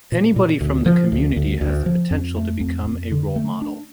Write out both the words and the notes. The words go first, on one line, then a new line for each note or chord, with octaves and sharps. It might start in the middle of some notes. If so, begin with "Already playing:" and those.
Anybody from the community has the potential to become a role model.
A#2
A#2
D2
F3
D2
D2
D2
F3
F2
A3
F2
F2
D3
A3
D4